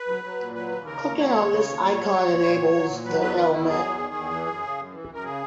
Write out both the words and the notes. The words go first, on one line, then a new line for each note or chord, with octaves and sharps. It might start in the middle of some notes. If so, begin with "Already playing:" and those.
Clicking on this icon enables the element.
Already playing: B4
F#3
F#3
A#2
F#3 B4
D#2
C#3 A#4
D#2
F#3 C#5
D#2
C#3
D#2
A#2
F#3
F#3
A#2
A#2
F#3
F#3
A#2
F#3 B4
E2 B4
D#3 B4
E2 E4
F#3 G#4
E2
D#3
E2
E3
F#2
C#3
F#2
E3
F#2 A#4
C#3 G#4